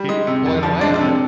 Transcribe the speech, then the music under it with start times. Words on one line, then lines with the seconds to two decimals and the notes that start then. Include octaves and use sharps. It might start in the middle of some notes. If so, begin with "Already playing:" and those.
keep plugging away at it.
Already playing: G3
0.08 G#3 D#4 D#5
0.27 C3
0.46 F2
0.63 F3
0.81 G#3 D4 D5
1.00 C3